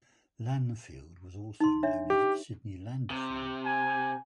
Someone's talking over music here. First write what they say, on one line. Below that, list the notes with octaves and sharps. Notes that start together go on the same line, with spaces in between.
Lanfield was also known as Sidney Landfield.
D#4 C6
D4 C#5 E5
G4 C#6
C3
G#5